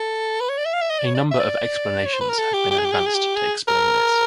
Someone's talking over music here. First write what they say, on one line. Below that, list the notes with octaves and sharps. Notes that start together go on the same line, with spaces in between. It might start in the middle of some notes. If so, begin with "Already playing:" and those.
A number of explanations have been advanced to explain this.
Already playing: A4
B4
C#5
D5
E5
F5
E5
D#5
D5
C#5
D5
E5
D5
C#5
C5
B4
A#4
A4
G4
G4
G#4
G4
G#4
G4
G#4
G4
G#4
A#4